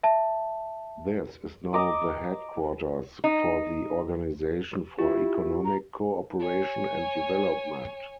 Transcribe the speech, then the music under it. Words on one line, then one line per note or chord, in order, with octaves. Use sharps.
This is now the headquarters for the Organisation for Economic Co-operation and Development.
E5 A5
D#5 A#5 D6 D#6
D#4
E4 F4 G4
A#5
C#5 G#5